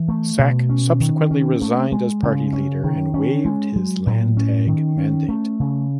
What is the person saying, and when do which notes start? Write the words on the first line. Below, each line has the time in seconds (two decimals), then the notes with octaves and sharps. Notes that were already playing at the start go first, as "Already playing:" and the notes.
Sack subsequently resigned as party leader and waived his Landtag mandate.
Already playing: E3
0.08 A3
0.39 B2
0.69 C#4
1.00 D#3
1.31 C#4
1.62 A3
1.92 G#3
2.23 C#3
2.53 C#4
2.84 D#3
3.14 C#4
3.45 G#3
3.76 F#3
4.07 A2
4.37 C#4
4.67 D#3
4.98 C#4
5.29 A3
5.60 C#3